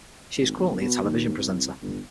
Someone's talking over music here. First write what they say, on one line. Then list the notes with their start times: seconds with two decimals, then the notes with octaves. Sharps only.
She is currently a television presenter.
0.40 G#1
0.57 G1
0.81 B2
1.03 D#2
1.37 C2
1.82 G1